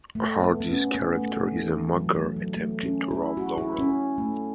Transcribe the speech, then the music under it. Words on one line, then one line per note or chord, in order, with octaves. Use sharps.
Hardy's character is a mugger attempting to rob Laurel.
A3
B3
B3
C#4
B3
A3
A3
E3
E3
F#3
A3
F#3
A3
C#4
E4
F#4
E4
C#4
A3